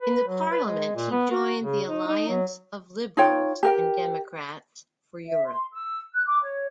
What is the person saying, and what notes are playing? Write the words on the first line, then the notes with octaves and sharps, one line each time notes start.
In the parliament he joined the Alliance of Liberals and Democrats for Europe.
B4
F#3
B4
G#3
A#2
B3
F#4
C#3
D#4
D#4
F#3
D#4 F4 C#5 G5
G4 A#4 G5
E5
C6
E6
F#6
D6
C#5